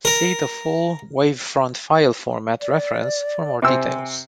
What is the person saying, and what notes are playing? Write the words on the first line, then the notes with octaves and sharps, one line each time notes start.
See the full wavefront file format reference for more details.
A#4
D5
C3 C4 G#5 E6